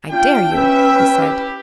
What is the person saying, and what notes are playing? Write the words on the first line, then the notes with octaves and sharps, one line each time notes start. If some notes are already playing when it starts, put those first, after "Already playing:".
"I dare you!" he said.
D4 F4 G5
C#4 B4 E5 G5
E4 G4